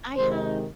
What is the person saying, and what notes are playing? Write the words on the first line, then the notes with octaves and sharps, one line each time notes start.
I have
C3 D#3 G#3 C5